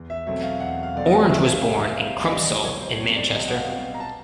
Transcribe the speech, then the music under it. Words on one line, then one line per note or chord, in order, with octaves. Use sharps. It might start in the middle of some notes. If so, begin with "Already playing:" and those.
Orange was born in Crumpsall in Manchester.
Already playing: E2
E5
B2 F#3 A3 C4 E5
F5
E2 F#5
F5
B2 F#3 A3 C4 D5
D#5
C2 E5
E5
F5
A#2 G3
E5
C2 F5
D#5
A#2 G3 D5
B1 C#5
C5
B2 G3 C4 C#5
D5
B1 D#5
F#5
F5
B2 G3 C4
A#5
A5